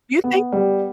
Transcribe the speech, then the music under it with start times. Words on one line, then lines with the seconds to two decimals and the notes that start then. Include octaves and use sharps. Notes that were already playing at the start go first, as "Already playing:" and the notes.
Do you think
0.24 B3
0.52 G3